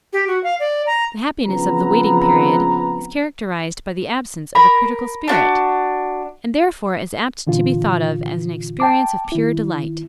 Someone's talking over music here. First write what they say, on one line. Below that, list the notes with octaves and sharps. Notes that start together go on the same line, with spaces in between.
The happiness of the waiting period is characterized by the absence of a critical spirit, and therefore is apt to be thought of as an experience of pure delight.
G4
F#4
F5
D5
A#5
C#3 F3 B3 C4 B4 A#5
A#4 A#5 B5
D4 F4 F#4
A#2 D3 E3 F4
G5 A5 D6
D#3 E4